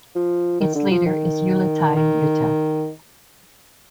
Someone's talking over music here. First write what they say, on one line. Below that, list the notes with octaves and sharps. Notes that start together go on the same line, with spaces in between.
Its leader is Uliti Uata.
F3
D#3
D3
F3
D#3
D#3